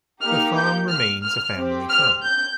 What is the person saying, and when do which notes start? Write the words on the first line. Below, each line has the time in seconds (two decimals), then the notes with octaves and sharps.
The firm remains a family firm.
0.22 A#3 D#4 G4 F6
0.56 G6
0.89 F6
1.23 F6
1.56 C4 G4
1.90 F6
2.23 G6